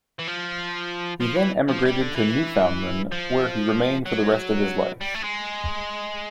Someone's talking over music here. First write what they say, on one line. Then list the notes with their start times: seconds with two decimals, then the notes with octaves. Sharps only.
He then emigrated to Newfoundland, where he remained for the rest of his life.
0.19 E3
0.27 F3
1.21 F3
1.37 E3
1.68 F3
1.85 G3
2.01 D3
2.16 E3
3.12 F3
4.06 F#3
5.01 G3
5.15 A3
5.24 G#3